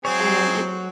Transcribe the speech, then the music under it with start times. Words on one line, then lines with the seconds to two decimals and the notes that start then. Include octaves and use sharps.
and it
0.05 F#3 G#3 C4 G#4 C#5